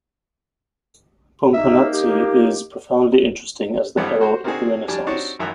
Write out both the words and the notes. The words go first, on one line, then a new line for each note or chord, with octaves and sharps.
Pomponazzi is profoundly interesting as the herald of the Renaissance.
A#3 D#4 E5
G4
G2 E3 B3 C4 D5
F#4 C5
A#3 C4 D4 D#4 F#4 G#4
F2 G3 D4 G#5
C4 D4 D#4 F#4 G4 C#5
G#1 F#2 E5 G#5 A#5 F#6